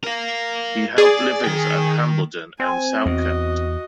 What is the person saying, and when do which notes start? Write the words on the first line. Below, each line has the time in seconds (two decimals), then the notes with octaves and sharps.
He held livings at Hambleden and Salkeld.
0.04 A#4 F5
0.98 G#4 D5
1.45 D#3 G5
2.60 C4 G#5
3.06 E2 F#4 D#5